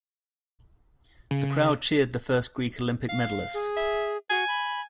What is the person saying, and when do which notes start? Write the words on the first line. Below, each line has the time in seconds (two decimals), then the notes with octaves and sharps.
The crowd cheered the first Greek Olympic medallist.
1.31 C#3
3.09 F5
3.54 G#4
3.76 E5
4.30 F#4 G#5
4.48 B5